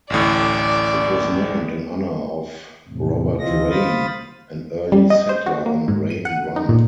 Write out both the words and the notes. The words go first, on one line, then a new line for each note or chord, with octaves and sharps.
It was named in honor of Robert Rayne, an early settler on Rayne Run.
A1 D2 A2 D5
E2 A2 C3
D2 E3 C4 F4 D#5 A#6
C5 F5 B5 D#6 A6
G3
D#5
C5
F#4
A#3
G#2
D#7
F#5
D#4
A#2